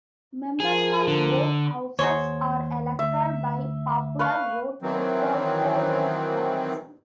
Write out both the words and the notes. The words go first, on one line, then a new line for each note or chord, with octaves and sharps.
Members of both houses are elected by popular vote to serve four-year terms.
F3 G#4 A#4
D3
D#2 F#4 G#4 C5 C#5 C6
D2 E5
B4 F5 C#6
D#3 E3 F#3 C4